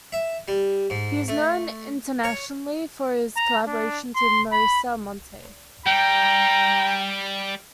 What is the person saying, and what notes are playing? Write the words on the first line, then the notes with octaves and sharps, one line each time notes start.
He is known internationally for his collaborations with Marisa Monte.
E5
G3
G#2
A3
C#5
A#5
D4
C6
B5
G3 G5 A#5